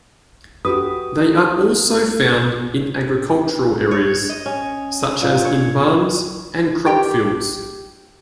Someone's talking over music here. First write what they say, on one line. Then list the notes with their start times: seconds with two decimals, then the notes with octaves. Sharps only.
They are also found in agricultural areas, such as in barns and crop fields.
0.65 F#4 G4 B4 D#6
3.91 C#5
4.29 D#5
4.46 C#4
5.22 A#2
5.45 C#5
6.86 G4 G5